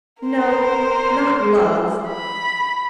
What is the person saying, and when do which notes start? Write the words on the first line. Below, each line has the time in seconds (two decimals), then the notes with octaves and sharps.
No: not love.
0.23 A#4 C5
2.07 B5